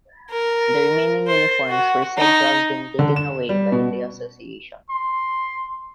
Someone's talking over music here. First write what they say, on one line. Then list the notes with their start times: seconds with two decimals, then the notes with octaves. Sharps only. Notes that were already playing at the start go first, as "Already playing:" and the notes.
The remaining uniforms were said to have been taken away by the association.
0.31 A#4
1.27 C5
1.68 F#4
2.18 D#4
2.99 D3
3.16 E7
3.49 G3
3.72 B2
4.90 C6